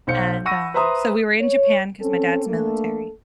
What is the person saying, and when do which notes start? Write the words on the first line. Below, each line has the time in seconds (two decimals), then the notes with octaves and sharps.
and, uh, so, we were in Japan, 'cause my dad's military,
0.07 B1 C5 F5 G6 C#7
0.45 F#5 B5 C#6 E6 A#6 D#7
0.74 B4 C5 E5 A#5 C6 D#6
1.40 C#5
1.99 C4 C#4 A4
2.46 A3 A#3 D4 A4